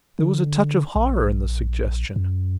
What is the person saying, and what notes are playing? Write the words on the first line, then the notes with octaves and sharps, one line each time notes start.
There was a touch of horror in the suggestion.
D3
A#1
F#2